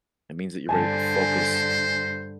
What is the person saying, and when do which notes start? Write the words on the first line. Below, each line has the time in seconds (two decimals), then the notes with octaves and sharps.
It means that you're ready to focus
0.69 G2 D3 C5 G#5 A5